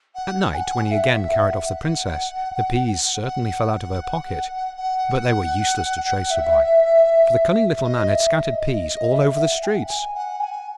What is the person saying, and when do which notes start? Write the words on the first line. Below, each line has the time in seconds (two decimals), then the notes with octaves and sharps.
At night, when he again carried off the Princess, the peas certainly fell out of her pocket, but they were useless to trace her by, for the cunning Little Man had scattered peas all over the streets.
0.14 F#5
0.53 G#5
0.57 F#5
0.91 E5
1.11 E5
1.30 F#5
1.49 F#5
3.21 F#5
4.75 F#5
6.30 E5
7.83 D#5
8.08 E5
8.35 E5
8.39 D#5
8.60 D#5
8.85 D#5
9.11 E5
9.36 F#5
9.62 G#5
9.66 F#5
9.88 G#5
10.14 F#5
10.39 G#5